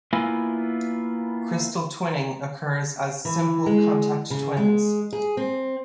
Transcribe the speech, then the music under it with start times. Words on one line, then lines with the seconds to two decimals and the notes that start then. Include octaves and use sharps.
Crystal twinning occurs as simple contact twins.
0.13 A#3 B3 E4 F4 G#5
3.25 E3
3.66 G#3
4.30 C#3
4.57 G#3
5.13 G#4
5.37 C4